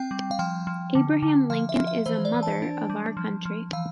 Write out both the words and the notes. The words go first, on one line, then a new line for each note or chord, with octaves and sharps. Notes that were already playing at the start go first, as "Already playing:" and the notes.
Abraham Lincoln is a 'mother' of our country.
Already playing: C4 G5
G3
F5
F3 G5
F3
D3
D3
F3 F5
E5
F3
E5
E3 C5
D5
E3
A5
D4
G3
F3
F3
E3 F5